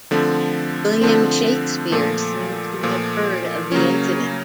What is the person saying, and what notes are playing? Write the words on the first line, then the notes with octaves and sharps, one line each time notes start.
William Shakespeare seems to have heard of the incident.
D3 F3 A3 C4
D3 F3 A3 C4
A#2 F3 A3
A#2 F3 A3
C#3 F#3 A#3 C#4